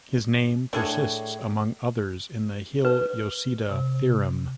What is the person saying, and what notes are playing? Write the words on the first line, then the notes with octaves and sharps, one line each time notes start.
His name persists among others in the Hille-Yosida theorem.
A2 D4 G#4 C#5
B4
C3